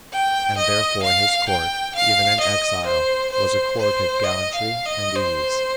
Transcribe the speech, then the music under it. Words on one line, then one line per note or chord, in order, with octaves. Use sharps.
And therefore his court, even in exile, was a court of gallantry and ease.
G5
D#5
F5
G5
F5
D#5
C5
C5
C5
D#5
F5
D#5
C5